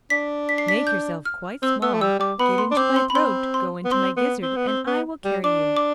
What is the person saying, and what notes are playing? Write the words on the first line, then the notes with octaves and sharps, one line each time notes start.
Make yourself quite small, get into my throat--go into my gizzard and I will carry you.'
D4 B6
B6
C7
B6
G6
F6
C4 E6
B3 E6
A3
G3 E6
G3 D6
B3 B5
C6
D4
C4 D6
C6
B5
C4 C6
C6
B3
C4 C6
B3
C4
B3
C4
B3
G3
D4 D6
D6